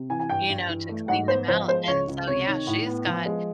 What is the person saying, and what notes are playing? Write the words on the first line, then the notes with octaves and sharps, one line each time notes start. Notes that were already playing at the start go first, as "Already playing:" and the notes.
you know, to clean them out. And so, yeah, she's got
Already playing: C3
E3 G#5
G#5
G2 G5
G2
E3
A3
G#2 F#5
B3 C5
F3 C5
G#3 C5
C#2 C#5
C#2
C3 C#5
D#3
A2
B3
F3
G#3